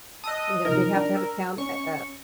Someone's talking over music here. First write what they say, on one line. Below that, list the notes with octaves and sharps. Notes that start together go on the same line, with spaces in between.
You know, they have to have a count, ah, uh,
D#5 A5 D#6 E6 F#6
C3 F3 D#4 A#4
D4
E6
C#4 C#6